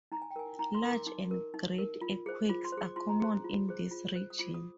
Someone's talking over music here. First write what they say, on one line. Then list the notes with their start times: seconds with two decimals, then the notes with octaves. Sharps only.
Large and great earthquakes are common in this region.
0.12 D#4 A#5
0.22 G#5
0.31 G5
0.36 A#4 G#5
0.59 D#4 A#5
0.74 C6
0.83 A#4
0.91 D6
1.07 D#4 D6
1.31 A#4
1.54 D#4
1.79 A#4
2.01 F4
2.26 G#4 C5
2.49 F4 D6
2.65 C6
2.72 C5
2.77 G#4 D6
2.96 F4 C6
3.09 A#5
3.20 G#4 C5 C6
3.44 F4
3.68 G#4 C5
3.91 F4
4.16 C5
4.30 D#6
4.39 F4 D6
4.54 D#6